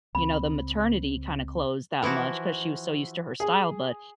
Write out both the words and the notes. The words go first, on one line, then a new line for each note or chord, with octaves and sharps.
you know, the maternity kinda clothes that much 'cause she was so used to her style. But
C#2 C4 B5
E3 F3 E4 F#4
G#4